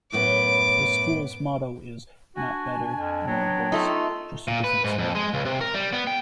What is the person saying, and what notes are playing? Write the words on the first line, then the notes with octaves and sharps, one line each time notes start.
The school's motto is "Not better, nor worse, just a different school".
F#2 A2 B3 D6
D4 F#4 G#5
F2
F#3 B3 G5
A3 D#4 F4
A#2
B4
G#2
F2
G#3
C#2
C3
A#4
G3
B3
G5